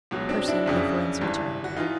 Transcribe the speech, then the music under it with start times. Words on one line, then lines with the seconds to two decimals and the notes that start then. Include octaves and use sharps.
Person a forensic Term.
0.11 C#2 B2 F#3
0.29 C4 D4
0.48 D4 E4
0.66 F#1 F2 C#3
1.21 G#1 G2 E3
1.64 F#4
1.77 E3 D#4 F4